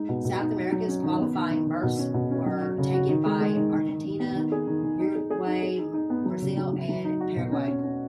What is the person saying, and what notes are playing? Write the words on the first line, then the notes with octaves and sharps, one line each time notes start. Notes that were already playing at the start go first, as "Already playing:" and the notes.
South America's qualifying berths were taken by Argentina, Uruguay, Brazil and Paraguay.
Already playing: G#3 D#4
B2
B2
D#4
F#4
F#3
C#4
D#3
B3
D#3
D#3
D#3
B2
C#4
B2
C#4
F#3
F#4
C#3
F#4
D#3
G#3
G#3
D#3
D#3
D#3
D#3
B3
D#3
G#4
D#3
D#3
D#4
G#4
G#4
D#4
G#4
D#4
D#4
B3
F#3
C#3
F#3
F#3
F#3
D#4
F#4
B2
C#4
C#4
C#4